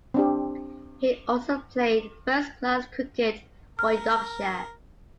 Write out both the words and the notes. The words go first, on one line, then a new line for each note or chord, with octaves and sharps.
He also played first-class cricket for Yorkshire.
C4 D4 G4
A#4 F6